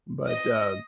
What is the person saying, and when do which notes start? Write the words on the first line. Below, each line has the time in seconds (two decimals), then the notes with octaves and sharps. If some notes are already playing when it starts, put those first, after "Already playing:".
but, uh,
0.28 D#5